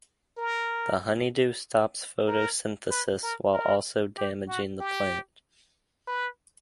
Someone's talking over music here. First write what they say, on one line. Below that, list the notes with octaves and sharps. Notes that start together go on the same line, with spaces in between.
The honeydew stops photosynthesis while also damaging the plant.
A#4
A#4
B4
A#4
A#4
G4
F#4
G4
B4